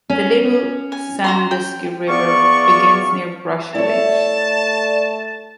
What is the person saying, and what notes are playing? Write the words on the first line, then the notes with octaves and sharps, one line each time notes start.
The Little Sandusky River begins near Brush Ridge.
C#4
G#5
F#4 A#5 C6
G5
E2 B3 D5 F5 C#6
A3 E4 C#5 D5 A5